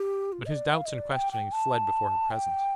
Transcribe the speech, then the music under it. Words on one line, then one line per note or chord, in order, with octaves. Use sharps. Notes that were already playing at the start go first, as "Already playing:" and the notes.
But his doubts and questionings fled before her presence.
Already playing: G4
F4
D#5
D5
F5
D#5
D5
G5
G5
A5
G5